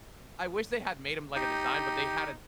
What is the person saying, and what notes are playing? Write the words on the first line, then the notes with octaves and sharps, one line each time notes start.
I wish they had made 'em like a design, but they had a
D#4 G4